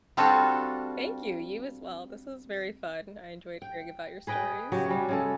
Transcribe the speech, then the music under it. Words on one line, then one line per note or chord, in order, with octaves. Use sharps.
Thank you, you as well, this was very fun, I enjoyed hearing about your stories.
G3 C4 D4 F4 F#4 A4
G5
G#4 B4 D#5 G5
C#3 F#3 G4
G3 C#4 F#4
C#3 G#3 A4